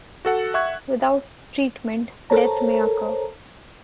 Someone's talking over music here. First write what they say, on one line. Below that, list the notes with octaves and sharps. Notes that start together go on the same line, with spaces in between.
Without treatment death may occur.
F#4 A4 F#5
E5 F#5 C#6 F#6 G#6
A4 A#4 C5 C#5 A5 A#5